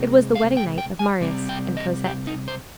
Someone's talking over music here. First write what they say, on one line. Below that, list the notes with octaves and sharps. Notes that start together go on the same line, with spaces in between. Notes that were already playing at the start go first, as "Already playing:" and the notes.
It was the wedding night of Marius and Cosette.
Already playing: C3 G#3 C4
F5
G5
G5
G#5
C3 G3 C4
G5
D#5
G4
D#4
C5